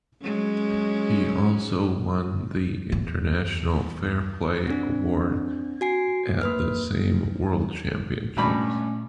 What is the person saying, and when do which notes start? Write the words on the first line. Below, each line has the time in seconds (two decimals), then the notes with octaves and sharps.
He also won the International Fair Play award at the same world championships.
0.21 F#3 G#3 C#4
2.92 E2
4.67 C4 D4
5.81 F#4 G#5 C7
6.41 A#3 B4 F6
8.37 G#1 G2 A#2 A3 C#4 G#5 B5